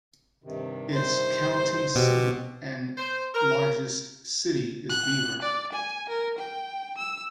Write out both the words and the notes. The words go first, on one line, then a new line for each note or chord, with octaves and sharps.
Its county seat and largest city is Beaver.
G2 C3 D#3
C5
B2 C4 G4
C5
A#4
F#6
D5
G#5
A#4
G5
E6